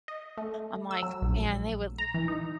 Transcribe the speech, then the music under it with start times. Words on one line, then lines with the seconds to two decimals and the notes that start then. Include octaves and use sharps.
I'm like, "Man, they would
0.08 D#5
0.37 A3
0.91 E6
1.03 F#3
1.22 A#1
1.98 A#5
2.14 E3
2.28 D#4